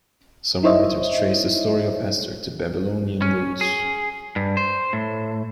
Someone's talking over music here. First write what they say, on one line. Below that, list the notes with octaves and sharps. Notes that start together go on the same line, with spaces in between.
Some writers trace the story of Esther to Babylonian roots.
D#4 E4 C5 C#5 D#5 E5
C#4
G#4
G2
C5
A2